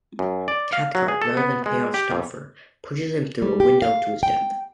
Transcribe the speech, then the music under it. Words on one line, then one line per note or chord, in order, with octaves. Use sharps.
Cathcart, rather than pay off Stauffer, pushes him through a window to his death.
F#2
D5
F5
F#3
G#4
A4
B3
G#3
G4
F2
G3
G4
F5
G5